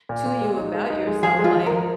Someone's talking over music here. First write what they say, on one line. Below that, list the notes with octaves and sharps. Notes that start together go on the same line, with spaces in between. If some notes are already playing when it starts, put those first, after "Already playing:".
to you about yourself, Like,
A#2
A#2
G#3
D#4
G#3
D#4
G#3
F3 G#4
G#3
F4
F3
F3 A#4